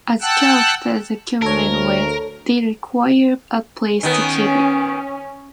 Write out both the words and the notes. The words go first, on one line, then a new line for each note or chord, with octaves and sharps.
As characters accumulate wealth, they require a place to keep it.
F#5 G5 A5 E6 F#6
D2 A4 A#4 C#5
D#3 B3 C#4